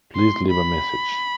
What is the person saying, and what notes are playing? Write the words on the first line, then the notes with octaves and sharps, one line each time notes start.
Please leave a message!
C6
B5